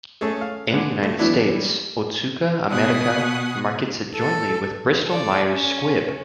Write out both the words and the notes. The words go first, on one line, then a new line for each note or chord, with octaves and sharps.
In the United States, Otsuka America markets it jointly with Bristol-Myers Squibb.
A3 C#4 G#4 A4
F5
D3 G#3 B4
A3
E3 F#3 B3 D4 E4
G3
B2 F#5 G#5 D#6
A4
A4 D5
C#4